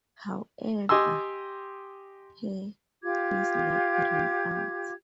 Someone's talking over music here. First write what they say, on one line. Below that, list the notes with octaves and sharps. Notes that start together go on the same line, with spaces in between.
However, here his luck ran out.
G4 D#5 G#5 C6 E6
F4 G4 D6 G#6